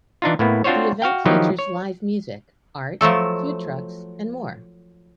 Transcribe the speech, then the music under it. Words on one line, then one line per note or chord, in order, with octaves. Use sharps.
The event features live music, art, food trucks, and more.
E3 D4 D#4 F4
A2 A#3 B3 E4
C4 D4 F4 F#4 C5 C#5
F#4 F5 G5
D#3 F3 F#3 D#4 E4 G4
C#5
F3 F#3 A3 A4